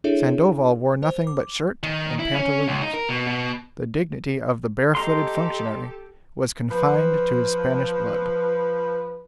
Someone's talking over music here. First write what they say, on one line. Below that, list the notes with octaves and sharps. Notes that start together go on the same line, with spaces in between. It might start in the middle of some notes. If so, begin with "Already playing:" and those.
Sandoval wore nothing but shirt and pantaloons; the dignity of the barefooted functionary was confined to his Spanish blood.
D4 E4 G#4 A4 C#5 E5
C5
D6
D#3
E4
C#4
C#2
D#4
A#4
B2
B2
G4 A4 D#5 A#5 C6
F3 B4